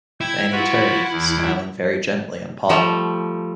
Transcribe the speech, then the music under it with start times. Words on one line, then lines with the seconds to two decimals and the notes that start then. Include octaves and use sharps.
Fanny turned, smiling very gently on Paul.
0.21 E4 G5 G#6
0.52 F4 F#4 B4
1.11 E2
2.69 F3 G3 A3